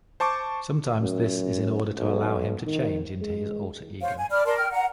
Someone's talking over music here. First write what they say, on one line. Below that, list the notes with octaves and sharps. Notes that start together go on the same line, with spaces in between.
Sometimes this is in order to allow him to change into his alter ego.
C5 A5 C#6 D6
F#2
B1
D#3
G#3
C5 C#5 F5
G#5
D5 B5 F6
A#4 D5 A5 C6
G5 F6
F#5 A#5